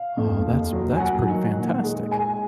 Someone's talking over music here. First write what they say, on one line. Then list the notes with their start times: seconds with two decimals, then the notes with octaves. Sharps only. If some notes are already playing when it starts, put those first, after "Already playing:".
Oh, that's that's pretty fantastic.
Already playing: F5
0.17 F2
0.45 D#2
0.73 F#3
0.96 G#5
1.00 F#3 F#5
1.28 D#3
1.56 A#2
1.84 G#3
2.11 G#3 G#5